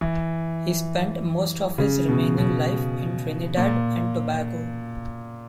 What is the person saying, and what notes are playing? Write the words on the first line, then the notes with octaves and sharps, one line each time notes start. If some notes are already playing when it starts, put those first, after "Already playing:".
He spent most of his remaining life in Trinidad and Tobago.
E3
C#3
B2
B2
A#2